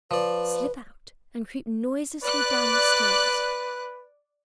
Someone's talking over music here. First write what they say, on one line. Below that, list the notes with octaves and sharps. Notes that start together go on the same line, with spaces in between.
Slip out and creep noiselessly down the stairs.
F3 B4 D5
B4 D5 F#6